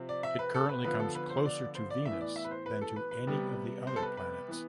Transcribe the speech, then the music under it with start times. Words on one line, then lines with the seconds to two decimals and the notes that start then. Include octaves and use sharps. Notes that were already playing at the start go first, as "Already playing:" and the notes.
It currently comes closer to Venus than to any of the other planets.
Already playing: C3 F3 C4
0.09 D5
0.23 E5
0.39 B4
0.54 A4
0.69 B4
0.84 D3 F3 B3 B4
1.00 A4
1.15 B4
1.30 C5
1.45 D5
1.75 C5
1.90 D5
2.05 A2 E3 B3 E5
2.21 D5
2.36 E5
2.44 B4
2.51 C5
2.66 B4
2.81 A4
2.96 B4
3.11 B4
3.27 C3 G3 B3
3.87 C5
3.96 A4
4.02 B4
4.17 B4
4.48 E3 B3